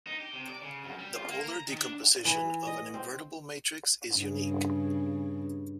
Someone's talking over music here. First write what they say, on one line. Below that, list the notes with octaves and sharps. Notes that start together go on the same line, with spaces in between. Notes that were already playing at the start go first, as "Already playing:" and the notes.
The polar decomposition of an invertible matrix is unique.
D#4
G4
C3
D5
C#3
F#2
G3
F4
A#3
A#5
D#3
D4
E3
D#5
C4
G2 C#3